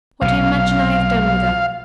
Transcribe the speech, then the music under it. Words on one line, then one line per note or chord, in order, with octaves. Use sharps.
"What do you imagine I have done with her?"
B1 C3 F5